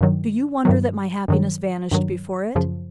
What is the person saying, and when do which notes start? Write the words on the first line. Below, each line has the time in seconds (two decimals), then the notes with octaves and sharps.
Do you wonder that my happiness vanished before it?
0.01 G2 D#3 F#3
0.65 G2 D#3 F#3
1.28 G2 D#3 F#3
1.91 G2 D#3 F#3
2.55 F#2 C#3 F3